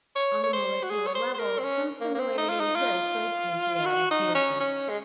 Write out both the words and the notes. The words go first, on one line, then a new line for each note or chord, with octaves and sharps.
On the molecular level some similarity exists with pancreatic cancer.
C#5
C#5
C5
F#4
G#4
C#5
C5
C5
A#4
C4
C#4
A#3
A#3
C4
D#4
F4
D#4
F4
F#4
D#4
C#4
C#4
G#3